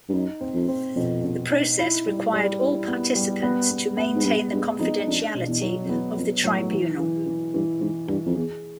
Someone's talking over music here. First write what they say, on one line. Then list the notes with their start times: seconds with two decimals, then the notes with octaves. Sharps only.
The process required all participants to maintain the confidentiality of the tribunal.
0.09 G2
0.14 F#2 D#4
0.41 C4
0.54 F2
0.68 C4
0.96 F2 B2
1.24 B2
1.50 D#4
1.79 E4
2.06 G3
2.33 G3
2.61 E4
2.88 B3
3.15 G3
3.43 B3
3.70 B3
3.97 B3
4.15 G#2
4.25 G2 B3
4.52 G2 G#3
4.79 F2 D#4
5.07 F2 D4
5.34 B2
5.48 E2
5.61 F#3
5.84 F2
5.89 E2 B3
6.17 F2 B3
6.44 A2 F#3
6.72 E3
7.00 E3
7.26 E3
7.54 G2 E3
7.81 G#2 E3
8.08 G2 E3
8.26 F2
8.35 E2 G#4